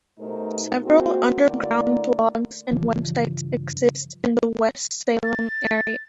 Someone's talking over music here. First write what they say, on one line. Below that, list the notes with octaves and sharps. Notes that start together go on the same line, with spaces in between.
Several underground blogs and websites exist in the West Salem area.
B2 A3 D#4 G4 A#4 C5
G#3 A#3 C4 F4 F#4
D3 A3 A#3 E4 D5
G2 C#3 E3 F3
A6